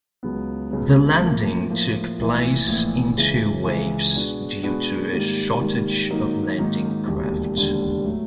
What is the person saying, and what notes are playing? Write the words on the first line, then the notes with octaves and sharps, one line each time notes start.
The landing took place in two waves due to a shortage of landing craft.
C#2 C#3 F#3 B3
C#2 C#3 F#3 B3
A2 F3 A#3
A2 F3 A#3
A#1 A2 E3
A#1 A2 E3
C#2 C#3 E3
C#2 C#3 E3
B2 G#3 B3 D4 F#4
B2 G#3 B3 D4 F#4
G#2 D#3 G3 A#3
G#2 D#3 G3 A#3
G#2 D#3 F#3 A#3 D#4
G#2 D#3 F#3 A#3 D#4
E1 D#2 D3 G3
E1 D#2 D3 G3
A2 F#3 A3